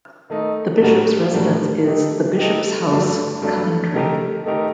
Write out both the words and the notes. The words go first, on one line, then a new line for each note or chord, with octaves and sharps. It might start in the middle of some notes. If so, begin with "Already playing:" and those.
The Bishop's residence is The Bishop's House, Coventry.
D#3 A3 D#4
A2 G3 D4 F#4 A#4
A2 G3 D4 F#4 A#4
A3 D#4 G4
A3 D#4 G4
G2 F#3 A3 D4
G2 F#3 A3 D4
D#3 A3 D#4 G4 A#4
D#3 A3 D#4 G4 A#4